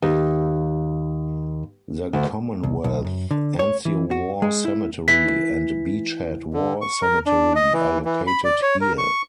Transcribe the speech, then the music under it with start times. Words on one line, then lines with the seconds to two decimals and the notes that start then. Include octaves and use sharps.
The Commonwealth Anzio War Cemetery and Beach Head War Cemetery are located here.
0.02 D#2
2.13 D2
2.63 C2
2.84 B1
3.05 F#2
3.31 D3
3.59 C#5
3.85 E3
4.11 F#4
4.42 G#3
4.65 E4
5.08 E3 B6
6.53 D3
6.81 C#6
7.02 A#4
7.26 D4
7.56 D#5
7.73 E3
8.05 E3
8.27 B5
8.44 D5
8.62 C#5
8.81 A#4
8.98 C#6